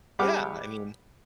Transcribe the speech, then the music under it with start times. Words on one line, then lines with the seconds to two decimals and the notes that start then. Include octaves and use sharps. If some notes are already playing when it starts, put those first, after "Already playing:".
Yeah, I mean
0.19 G3 G4 G#4 F#5 D6 F6